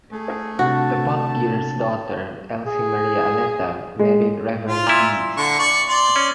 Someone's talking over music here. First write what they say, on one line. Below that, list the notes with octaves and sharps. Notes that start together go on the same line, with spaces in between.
The Potgieters' daughter Elsie Maria Aletta married reverend Ds.
A3 G#4
C3 D4 F#4 A5
G#4
G#3
F4
A#2 E4
D3 C#6
D5 C#6
D5 C6
C#4